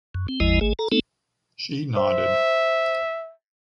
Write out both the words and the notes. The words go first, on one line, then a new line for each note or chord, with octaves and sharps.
She nodded.
F#2
C4
G#1 E2 F3 G#3 E4 D#5
G#1 A3 G#4
A4 A#5
A3 B3 C4 D#4 A4
C5 E5